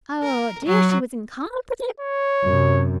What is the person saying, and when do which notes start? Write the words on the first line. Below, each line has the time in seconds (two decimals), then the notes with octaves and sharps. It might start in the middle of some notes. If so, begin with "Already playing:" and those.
Oh dear, she was incompetent!
0.23 A#4
0.66 F#3
2.00 C#5
2.45 F#2 C3